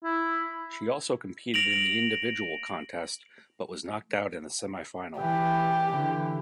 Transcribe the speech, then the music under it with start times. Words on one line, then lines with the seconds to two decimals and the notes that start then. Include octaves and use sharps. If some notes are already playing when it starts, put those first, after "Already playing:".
She also competed in the individual contest, but was knocked out in the semifinal.
0.04 E4
1.54 A#6 D7 F7 F#7
5.19 E3 G4
5.88 D3 E3